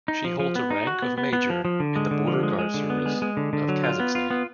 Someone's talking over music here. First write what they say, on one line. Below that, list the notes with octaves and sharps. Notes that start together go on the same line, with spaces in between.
She holds a rank of Major in the Border Guard Service of Kazakhstan.
D#4
F3
F3
B3
D#4
F#4
B3
B3
B3
F3
F3
D3
G#3
D3
F3
G#3
G#3
D3
B3
G#3
G#3
D3
D3
F#3
F4
B3
F4
B3